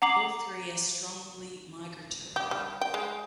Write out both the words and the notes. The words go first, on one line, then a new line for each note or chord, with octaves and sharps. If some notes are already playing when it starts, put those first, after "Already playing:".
All three are strongly migratory.
F#5 A#5 D6 C7 F#7
G4
G3
G5
G#3